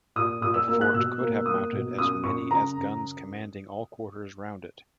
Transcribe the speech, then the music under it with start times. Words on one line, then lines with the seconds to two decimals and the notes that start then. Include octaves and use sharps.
The fort could have mounted as many as guns commanding all quarters round it.
0.16 A#2 D#6
0.41 A#2 D#6
0.54 E6
0.68 A#3 E6
0.81 F#6
0.94 B2 E6
1.20 A#3
1.46 A#3 D#6
1.72 B2
1.98 F#2 D#6
2.24 F#2 C#6
2.50 C#3 A#5
2.77 F#2